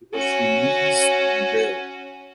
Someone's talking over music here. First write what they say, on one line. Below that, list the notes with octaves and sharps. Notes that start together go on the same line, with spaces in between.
He was released on bail.
C#4 F#4